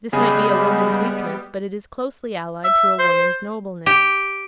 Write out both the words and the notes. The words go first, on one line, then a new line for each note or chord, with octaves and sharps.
This might be a woman's weakness, but it is closely allied to a woman's nobleness.
C#3 G3 G#3 B3 G#4 G#5 B5
E5
C5
G4